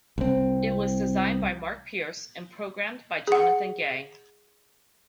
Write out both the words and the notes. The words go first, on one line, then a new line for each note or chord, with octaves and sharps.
It was designed by Mark Pierce and programmed by Jonathan Gay.
C2 C4
G#4 F#5